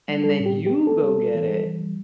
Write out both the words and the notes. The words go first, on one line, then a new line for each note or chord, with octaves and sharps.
and then you go get it,
G3
G3 A4
A2
G4
B3
G4
B3
B3 A4
G3
B3
E3
G3
E3
G3